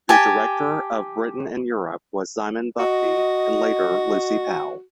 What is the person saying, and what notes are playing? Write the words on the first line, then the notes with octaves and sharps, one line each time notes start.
The director of Britain in Europe was Simon Buckby and later Lucy Powell.
G4 G#5 A5
F#4 D#5